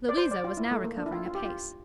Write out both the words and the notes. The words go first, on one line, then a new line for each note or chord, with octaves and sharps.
Louisa was now recovering apace.
D5
C5
D5
F4
E4
A3
A#3
D4
E4
F4
F4
G4
F4